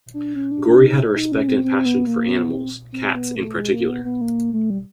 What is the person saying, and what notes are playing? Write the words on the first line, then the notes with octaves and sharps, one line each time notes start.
Gorey had a respect and passion for animals, cats in particular.
D4
C#4
D4
D4
D#4
D#4
C#4
C4
C4
B3
A#3
B3
C4
C4
B3
A3
G#3
A#3
B3
B3
A#3
A3
G3